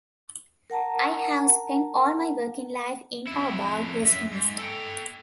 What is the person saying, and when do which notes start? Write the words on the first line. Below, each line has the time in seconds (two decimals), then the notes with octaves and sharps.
I have spent all my working life in or about Westminster.
0.70 A#4 F#5 A5 A#5
3.27 F2 E4
4.02 F#2 E5
4.32 G#2
4.59 A4 G5